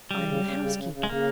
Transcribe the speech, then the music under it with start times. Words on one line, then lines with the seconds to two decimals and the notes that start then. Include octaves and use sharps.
"I am the housekeeper."
0.11 C#3 G3
0.27 C#3
0.44 C#3
0.60 C#3
0.76 C#3
0.93 C#3
1.03 G#3
1.09 C#3 A#3